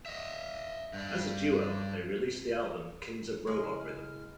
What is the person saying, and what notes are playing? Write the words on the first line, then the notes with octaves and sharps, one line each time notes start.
As a duo, they released the album "Kings of Robot Rhythm".
D#5 E5
G2 D4
C#3 G#3 E4 F6